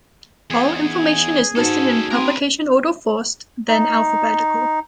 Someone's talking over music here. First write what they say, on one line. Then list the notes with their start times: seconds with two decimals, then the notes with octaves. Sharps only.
All information is listed in publication order first, then alphabetical.
0.50 E2 G#4 G#5
1.57 G#2 C#4 D#4 F#4 A4 A5
2.11 C4 A#4 B4
3.68 D#4